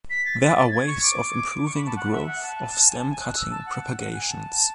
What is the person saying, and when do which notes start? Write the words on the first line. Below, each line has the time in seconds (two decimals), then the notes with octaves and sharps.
There are ways of improving the growth of stem cutting propagations.
0.10 B6
0.25 A6
0.40 A6
0.56 A6
0.71 G#6
0.87 C#6
1.03 D6
1.65 C#6
1.75 B5
1.86 A5
1.96 F#5
2.12 E5
2.27 F#5
2.43 A5
2.90 G#5
3.00 A5
3.10 G#5
3.20 F#6
3.36 E6
3.51 A5
3.66 F#5
3.98 F#5
4.14 G#5
4.28 A5